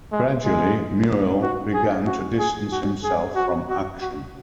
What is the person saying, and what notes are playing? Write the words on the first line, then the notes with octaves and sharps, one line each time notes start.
Gradually, Muehl began to distance himself from "Aktion".
G#3
G#3
F#4
G#4
F#4
G#4
F#4
G#4
F#4
F#4
F#4